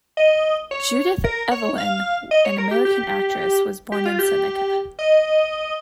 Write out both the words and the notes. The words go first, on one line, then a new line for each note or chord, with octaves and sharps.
Judith Evelyn, an American actress, was born in Seneca.
D#5
C#5
A#4
C#5
F5
D#5
C#5
A#4
G4
G4
G4
F4
G4
D#5